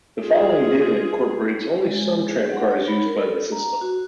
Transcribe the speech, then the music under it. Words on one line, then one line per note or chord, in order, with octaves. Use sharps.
The following data incorporates only some tram cars used by the system.
F4 G#4
G#3
G#4
F#5
C#5
B5
A#4
A4
A#5
F#4